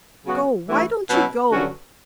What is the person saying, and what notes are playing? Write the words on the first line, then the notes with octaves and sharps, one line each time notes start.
Go--why don't you go?
C#3 F#3 B3 F#4
G2 E3 A3 E4
B2 F#3 C#4 E4
G2 D3 F#3 C#4 F#4